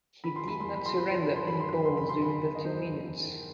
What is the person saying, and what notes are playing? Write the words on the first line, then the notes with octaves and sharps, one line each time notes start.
He did not surrender any goals during the two minutes.
D#3 B5
C6
E2 B5
E2 C6
B5
E2 C6
B5
F#3
C6
D#3 B5
C6
F#3 B5
D#3 C6
B5
E2 C6
B5
E2 C6
D#3 B5
E2
D#5
F#3 C5
E2
E2
D#3